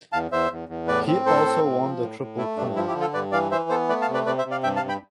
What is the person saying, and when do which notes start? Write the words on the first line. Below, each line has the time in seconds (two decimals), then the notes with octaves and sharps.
He also won the Triple Crown.
0.12 E2 F5 A5
0.31 E2 C5 E5
0.51 E2
0.69 E2
0.88 A2 B4 D5
1.07 C4
1.25 A2 A4 C5
1.45 C4
1.63 A2
1.82 F3
2.01 A2
2.20 A2
2.38 A3 E4
2.57 G2 D4
2.75 F3 E4
2.88 E4 G4
2.94 D3
3.00 F4 A4
3.14 G2 B4 D5
3.32 E3 D5 F5
3.51 E3 C5 E5
3.69 B3 A4 C5
3.89 A3 B4 D5
4.01 F5 A5
4.08 C3
4.14 B4 D5
4.26 C3 B4 D5
4.38 C5 E5
4.45 C3
4.51 D5 F5
4.63 G2 E5 G5
4.76 F5 A5
4.82 G2
4.89 G5 B5